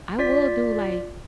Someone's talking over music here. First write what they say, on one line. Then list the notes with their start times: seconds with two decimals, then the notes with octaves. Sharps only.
I will do, like,
0.19 F4 D5 B6